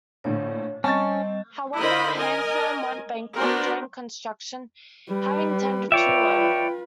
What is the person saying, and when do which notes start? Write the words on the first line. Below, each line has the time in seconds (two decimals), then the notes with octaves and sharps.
However, Hansom went bankrupt during construction, having tendered too low.
0.24 A#1 A2 D3 C#5
0.84 G3 C4 C#4 D#5 A5 C#6 A6
1.80 D3 E4 A#4 C5 D#5 B5
2.17 A#4 D#5 G#5
3.36 B3 D4 F#4 A#4 C5
5.10 G3 B4
5.92 F4 B4 C#5 D5 E5 G5